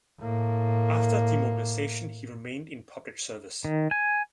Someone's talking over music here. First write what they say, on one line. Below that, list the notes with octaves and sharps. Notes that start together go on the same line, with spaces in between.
After demobilization he remained in public service.
A2 A#3
D#3
G#5